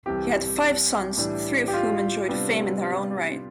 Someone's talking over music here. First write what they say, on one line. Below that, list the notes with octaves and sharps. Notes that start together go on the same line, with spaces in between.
He had five sons, three of whom enjoyed fame in their own right.
C2 C3 E3 G4
A2 E3 G3 D4
G4
F4
C3 G3 B3 D4